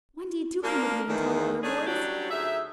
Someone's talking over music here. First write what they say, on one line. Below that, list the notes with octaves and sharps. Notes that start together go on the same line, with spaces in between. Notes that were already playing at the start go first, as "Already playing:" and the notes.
"Wendy, do come with me and tell the other boys."
F3 A#3 D4 A#4
E2 D#3
G#2 A3 C#4 D4 G#4
F#3 G3 C#4 D4 F#4 G4
D2 D#4 G#4 E5